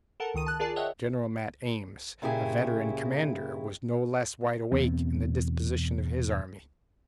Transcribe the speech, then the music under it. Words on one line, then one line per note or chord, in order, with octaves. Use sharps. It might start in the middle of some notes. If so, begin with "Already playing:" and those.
General Mat Ames, a veteran commander, was no less wide-awake in the disposition of his army.
A4 A#4 F#5 A5
C#2 D#3 D#6 D#7
A5 F#6
F4 G#4 A#4 D5 A5
C#5 D#5 E5 F#5 G5 F#6
A#2 C#3 E4 G4 G#4
E1 E2 B3 C4